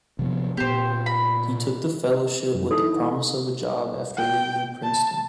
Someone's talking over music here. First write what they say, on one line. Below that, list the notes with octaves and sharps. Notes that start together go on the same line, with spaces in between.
He took the fellowship with the promise of a job after leaving Princeton.
C3 F3 B3
A#2 B3 G4 C5
B5
F#2
E3 D#4 A4
G5
A5